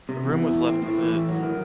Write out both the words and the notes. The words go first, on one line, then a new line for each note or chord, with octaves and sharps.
The room was left as is.
C3
E2
E3
A2
C4
A2
E3
A2
F#3
D#3